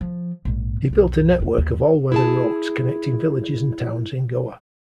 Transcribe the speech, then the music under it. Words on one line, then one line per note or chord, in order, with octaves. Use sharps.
He built a network of all weather roads connecting villages and Towns in Goa.
F3
A#1 G#2
B1 F2
E2 A#2
D#2
E4 G#4 A5